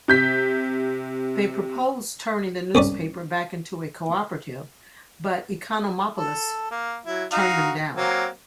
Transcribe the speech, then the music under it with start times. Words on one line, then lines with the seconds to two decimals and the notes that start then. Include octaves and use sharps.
They proposed turning the newspaper back into a cooperative, but Ekonomopoulos turned them down.
0.08 C3 G6 B6
2.75 C2 G#2 C#4 D5
6.16 A4
6.71 A#3
7.06 F#3 E4
7.32 D#4 F#4 F5
7.96 F#3 A#3 C4